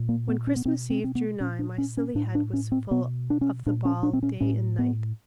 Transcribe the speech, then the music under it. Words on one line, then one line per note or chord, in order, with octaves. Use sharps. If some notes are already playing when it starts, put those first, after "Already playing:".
When Christmas Eve drew nigh my silly head was full of the ball day and night.
Already playing: A#2
A#3
B3
C#4
B3
B2 C4
C4
C4
B3
A#2 C#4
D4
C#4
C#4
A2 D4
D4
C#4
C4
B2 B3
D4
C#4
A#2 D4
C#4
D4
C4
C#4
A2 C#4
B3